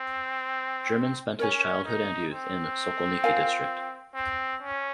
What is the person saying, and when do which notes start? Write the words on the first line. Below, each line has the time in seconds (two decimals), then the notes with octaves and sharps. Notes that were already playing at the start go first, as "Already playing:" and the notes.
German spent his childhood and youth in Sokolniki District.
Already playing: C4
1.39 C#4 A#4 C#5 G#5
1.85 D#4
2.32 C4
3.24 F4 A#4 F5 G#5
4.14 C4
4.62 C#4